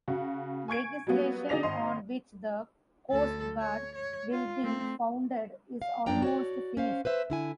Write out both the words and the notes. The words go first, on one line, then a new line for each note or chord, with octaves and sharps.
Legislation on which the Coast Guard will be founded is almost finished.
C#3 F#4
G#5 C#6 G#6 D7
F#3 G3 A#3 B3 F#4
D3 D#4 G#4 D5 A#6 F7
G#1 D#5 C6
D2 A4
C#5
C#5
F4
A3 C4
F5
F#2 F3 D4 D5 G5 A#5
F#4 C#5 D5
C#4 C5 F5
B4 C5 E5
D3 E4 G#5